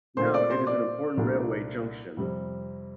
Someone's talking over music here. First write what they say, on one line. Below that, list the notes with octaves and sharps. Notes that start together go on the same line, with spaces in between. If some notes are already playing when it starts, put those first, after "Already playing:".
Now it is an important railway junction.
A#2 A3 C4 F4 C5 C6
D5 D6
C5 C6
D5 D6
C2 A#2 A3 D4
F2 C3 G3 C4